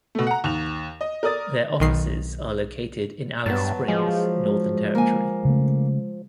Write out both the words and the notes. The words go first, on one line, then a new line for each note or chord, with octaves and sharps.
Their offices are located in Alice Springs, Northern Territory.
B2 A3
F#5 A#5
D#2 F7
D#5
A#4 D5 D#6 A6
B1 D#3 C7
G2 F#3 B3 A5
F3 G#3
A#3 G#5
C#3 A3